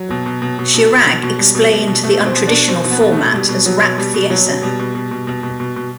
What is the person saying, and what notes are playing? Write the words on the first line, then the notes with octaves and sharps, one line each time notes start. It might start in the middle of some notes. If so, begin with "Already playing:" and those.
Chirag explained the untraditional format as "rap theatre".
Already playing: F#3
B2
B2
B2
B2
B2
B2
B2
B2
B2 G3
B2
B2 G3
B2
B2 A3
B2
C4
B2
B2 D4
B2 C4
B2
B3
B2
A3
B2
B2 G3
B2
B2 F#3
B2
B2 G3
B2
B2 F#3
B2
B2 G3
B2
B2
B2
B2
B2
B2
B2